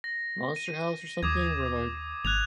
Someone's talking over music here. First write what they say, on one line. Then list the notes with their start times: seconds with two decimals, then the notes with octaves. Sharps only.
Monster House or something where, like,
0.04 A#6
0.56 D#7
1.23 D#2 D6 D#6 G#6
2.25 G#1 F#6 G#6 F7